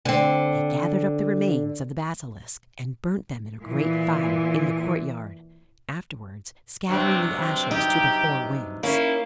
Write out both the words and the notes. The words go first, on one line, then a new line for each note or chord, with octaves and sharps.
They gathered up the remains of the basilisk, and burnt them in a great fire in the courtyard, afterwards scattering the ashes to the four winds.
D3 C4
A#2 E3
G2 C3 F#3 C4
C4
D#4 G4 G5
A#3 C#4 E4